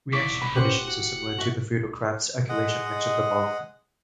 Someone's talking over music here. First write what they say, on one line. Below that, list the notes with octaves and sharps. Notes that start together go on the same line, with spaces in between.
Reaction conditions are similar to the Friedel-Crafts alkylation mentioned above.
D1 G#2 E4 D5 C#6 D6 B6
G2 B3 B5
C#4 G4 B4 C5 F#5
F#4
G#2 F#4 D#5 E5
G#3 D#5 F#5